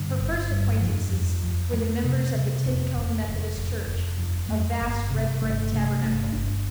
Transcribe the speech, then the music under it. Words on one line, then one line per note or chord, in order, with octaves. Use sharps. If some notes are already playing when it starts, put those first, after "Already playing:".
Her first acquaintances were the members of the Tincomb Methodist Church, a vast red-brick tabernacle.
Already playing: G2 D3
G1
G2
F1 F3
F2
F2
F2 A3
C3
C3
F1 C4
F1
F1
F1
F1
F2
F2 A3
G1
C3
G1 A3
C3 A3
G1 A3
G1 D4